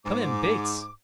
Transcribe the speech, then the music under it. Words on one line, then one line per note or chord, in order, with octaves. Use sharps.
Come in, Bates.
G#2 D6